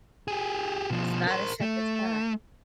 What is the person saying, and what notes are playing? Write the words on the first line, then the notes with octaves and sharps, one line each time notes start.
It's not a shepherd's pie.
G4 G#4
B2 F3
A#4 C5
A3